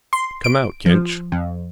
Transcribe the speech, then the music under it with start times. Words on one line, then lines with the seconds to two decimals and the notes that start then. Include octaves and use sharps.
Come out, Kinch.
0.13 C6
0.44 D7
0.86 F3
1.32 F2